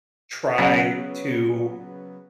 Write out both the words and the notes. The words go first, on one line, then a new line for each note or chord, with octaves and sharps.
try to,
C#3 F#3 B3